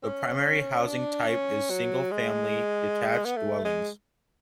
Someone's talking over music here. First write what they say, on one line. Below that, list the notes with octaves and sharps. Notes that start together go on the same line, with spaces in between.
The primary housing type is single-family, detached dwellings.
C#4
D4
C#4
F#3
G#3
B3
A3
G#3